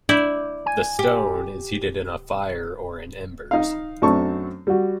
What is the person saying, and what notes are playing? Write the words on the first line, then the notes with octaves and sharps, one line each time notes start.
The stone is heated in a fire or in embers.
D4 E4 D5 G6
G#5
G4
D#4 F5
F#2 A3 C4 D4 A5 C#6
G3 F#4